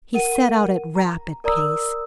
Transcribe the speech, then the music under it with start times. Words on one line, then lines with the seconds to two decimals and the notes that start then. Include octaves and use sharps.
He set out at rapid pace.
0.14 A#4 F#5 D#7
0.95 A#5
1.44 A#4 D5 A#5 D#6 E6